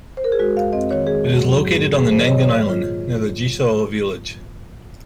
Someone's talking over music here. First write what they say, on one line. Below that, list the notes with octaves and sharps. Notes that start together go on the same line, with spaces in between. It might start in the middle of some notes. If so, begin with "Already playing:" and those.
It is located on the Nangan Island, near the Jieshou Village.
C5
A#4
G#4
G#3 F#4
F2 F5
C4 D#5
D#3 C#5
G#3 G#4
F2 F#4
F#3
G#2
G#4
A#3
D#3 G#4
F#3 C5
D#5
G#2 C#5
A#3 C#5
A#2
F4
A#2